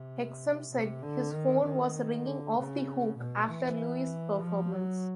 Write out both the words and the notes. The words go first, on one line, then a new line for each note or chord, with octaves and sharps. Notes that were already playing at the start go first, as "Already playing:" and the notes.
Hexum said his phone was "ringing off the hook" after Lewis' performance.
Already playing: C3
C3
D3
D#3
D#3
D3
C#3
B2
E3
F3
F#3